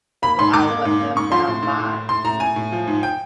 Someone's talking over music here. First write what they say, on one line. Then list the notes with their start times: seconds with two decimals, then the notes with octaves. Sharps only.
so I let them down by losing the weight.
0.22 A#3 B5
0.39 G#2 C6
0.53 G#2 D6
0.70 A#3
0.85 G#2
1.00 A#3
1.16 G#2 C#6
1.32 F3 C6
1.47 A2
1.63 A2
1.79 A2
1.93 A2
2.09 A2 C6
2.24 A2 A#5
2.40 A2 G#5
2.56 A2
2.72 F3
2.87 G#2
3.03 G5